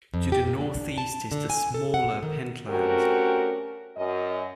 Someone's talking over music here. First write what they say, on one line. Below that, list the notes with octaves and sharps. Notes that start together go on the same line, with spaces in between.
To the northeast is the smaller Pentland.
F2
G4
A#2
D4
A5
D3
G#5
A4
F#5
D#3
A3 C4 C#4 F#4 G4 A#4
F#2 D#5